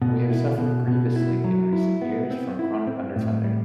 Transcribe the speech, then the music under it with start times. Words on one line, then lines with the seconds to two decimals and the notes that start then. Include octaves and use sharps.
We have suffered grievously in recent years from chronic underfunding.
0.02 B2
0.30 E4
0.58 B2
0.87 B2
1.16 E4
1.44 F#3
1.73 E4
2.01 B3
2.30 C4
2.59 E4
2.87 C4
3.16 A2
3.44 G3